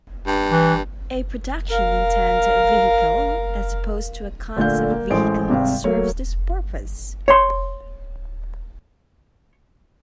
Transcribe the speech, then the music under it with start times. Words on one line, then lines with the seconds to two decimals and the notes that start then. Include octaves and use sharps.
A "production-intent" vehicle, as opposed to a concept vehicle, serves this purpose.
0.27 G2
0.51 E3
1.69 A#4 F5
4.57 A#2 D3 A3 F5 G6
4.91 A#3
5.10 A1 E3 G#3 A4 C5 D7
5.49 G#1 C3 G3 F5
5.84 F#3 A3 A#3 C#5
7.28 C#5 C6